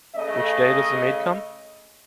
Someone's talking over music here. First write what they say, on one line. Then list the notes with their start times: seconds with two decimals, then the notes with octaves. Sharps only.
Which day does the maid come?
0.16 C#3 A3 D#5